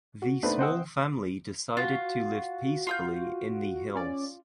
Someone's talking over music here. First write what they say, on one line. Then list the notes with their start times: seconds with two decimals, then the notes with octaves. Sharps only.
The small family decided to live peacefully in the hills.
0.22 F#4
0.43 A3 B3 D4 D#4 B4 C5
0.59 C5 D#5 F#5 G5 D#6 E6
1.77 F4 F#4
2.87 F4 D#6 G6
3.95 C#4 D5